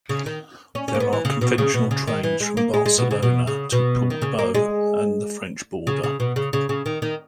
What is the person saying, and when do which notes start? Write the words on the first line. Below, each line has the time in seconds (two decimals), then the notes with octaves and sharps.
There are conventional trains from Barcelona to Portbou and the French border.
0.09 C#3
0.26 D#3
0.75 C#4
0.88 C#4
0.95 A#3
1.00 B3
1.13 E3
1.25 C#3
1.41 B2
1.58 C#3
1.74 B2
1.91 C#3
2.07 D#3
2.23 E3
2.40 G#3
2.57 A#3
2.74 G#3
2.86 G#3
2.98 B2
3.11 C#3
3.22 B2
3.47 C#3
3.72 B2
4.10 D#3
4.22 C#3
4.39 A#3
4.55 G#3
5.87 C#3
6.03 C#3
6.20 B2
6.36 C#3
6.53 C#3
6.69 C#3
6.86 D#3
7.02 D#3